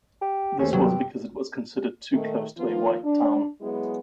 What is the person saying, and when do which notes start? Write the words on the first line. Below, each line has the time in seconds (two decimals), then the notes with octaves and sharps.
This was because it was considered too close to a white town.
0.22 G4
0.59 D#2 A3 C#4 C5
0.73 G2 C3 F#3 B3 G4
2.12 A#2 D#3 A3
2.58 D#3 F3 A#3 B3 F4
3.04 D4
3.62 F#3 G#3 B3 E4 G#4